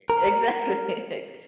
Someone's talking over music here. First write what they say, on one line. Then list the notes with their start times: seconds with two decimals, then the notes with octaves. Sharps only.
E exactly, ex
0.10 A#4